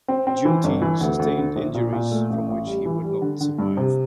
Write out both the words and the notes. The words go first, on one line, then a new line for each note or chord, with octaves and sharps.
Giunti sustained injuries from which he would not survive.
C4
C4
E3
G1
E3
D2
D2
D3
A#1
A#2
A#2
A3
A1
A1
G3
E3
G3
D3
D3
G2
C3